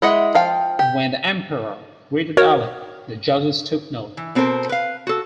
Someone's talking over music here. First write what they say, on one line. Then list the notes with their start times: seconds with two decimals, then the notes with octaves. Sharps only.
When the emperor greeted Alec, the judges took note.
0.02 G#3 E4 D#5 E5 F#5
0.35 F3 F5 G5
0.79 G4
2.37 F#4 A#4 C#5
4.17 E3
4.35 B2 C4 A4 A#4 C5
4.69 B4 F5
5.07 F#4 A4